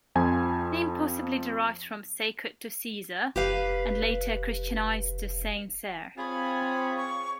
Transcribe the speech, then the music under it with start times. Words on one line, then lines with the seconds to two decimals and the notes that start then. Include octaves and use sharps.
Name possibly derived from "Sacred to Caesar" and later Christianized to "Saint-Cere".
0.15 F2 F3 G#5
3.36 F1 G4 B4 F5
6.18 C4 F4 G#4 C#5 B5
6.97 C#6